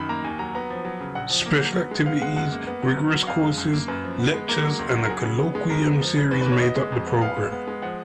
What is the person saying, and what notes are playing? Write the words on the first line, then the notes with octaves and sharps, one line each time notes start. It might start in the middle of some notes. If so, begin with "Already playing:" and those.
Special activities, rigorous courses, lectures and a colloquium series made up the program.
Already playing: F#2 D#3 B5
A#3 A#5
D#2 G#5
F#3 A#5
B3 A#5
F3
F#3
C#3
A#1 F#5
F3
A#3
F#3
B3
G#3
B3 F5
G#3 F#5
F#2 F#5
A#3
B3
F#3
B3
F#3
F2 F5
G#3
F#2
A#3
F#2 B4
F3
B3
G#3
A#3 A#4
F#3
C#2
F#3
A#4
F#3 G#4
C#3
B3
G#3
F2 A#4
B3
F3
C#3
D#2 B4
B4
A#3
C#5
B3 D#5
G#3
F2
B3
B3 F5
G#3
B3
G#3
F3 F#5